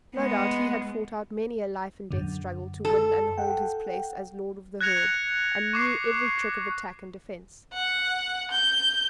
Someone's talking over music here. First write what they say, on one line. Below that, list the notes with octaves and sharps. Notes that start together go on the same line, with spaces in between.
No doubt he had fought out many a life and death struggle to win and hold his place as lord of the herd and knew every trick of attack and defence.
G#3 B3
F#2 D3
A4
F#5 G5
F#6 G#6 A#6 C#7 F7
C#6 D6 C7
F#5
G6